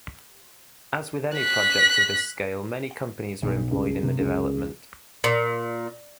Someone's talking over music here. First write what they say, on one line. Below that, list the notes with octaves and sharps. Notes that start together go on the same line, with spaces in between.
As with any project of this scale, many companies were employed in the development.
F#6 B6
B1
C#2
C3
C#2
A#2